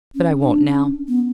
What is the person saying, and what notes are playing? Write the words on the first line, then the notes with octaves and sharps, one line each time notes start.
But I won't now.
C#4
D4
C#4
B3